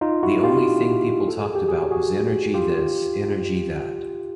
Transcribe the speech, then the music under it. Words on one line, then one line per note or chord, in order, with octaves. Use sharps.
The only thing people talked about was energy this, energy that.
D#4 F4
E4 F#4
F4 G4
A4
G#4
G4
F#4 G#4
F#4 G#4
F4 G4